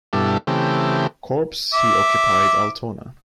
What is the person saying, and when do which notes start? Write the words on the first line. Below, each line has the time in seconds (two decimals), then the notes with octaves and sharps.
Corps he occupied Altona.
0.13 G2 B2 G3 D4 E4 A4
0.47 C#3 E3 A3 C4 G4
1.73 E5 D6